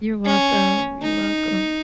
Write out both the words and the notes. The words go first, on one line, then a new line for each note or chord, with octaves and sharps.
You're welcome. You're welcome.
C#4
D#4